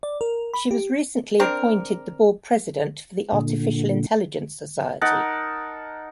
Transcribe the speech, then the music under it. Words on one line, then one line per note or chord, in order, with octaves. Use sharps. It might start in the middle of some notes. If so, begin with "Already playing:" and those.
She was recently appointed the board president for the Artificial Intelligence Society.
D5
A#4
B5
G4
C4 D4 A#4
A#2 D3
D#4 A#4 F#5 A5